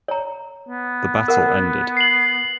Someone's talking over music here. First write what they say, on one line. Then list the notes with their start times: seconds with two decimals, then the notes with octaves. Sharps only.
The battle ended.
0.08 C#5 A#5
0.69 B3
1.28 A#4 F#5
1.97 C7 F#7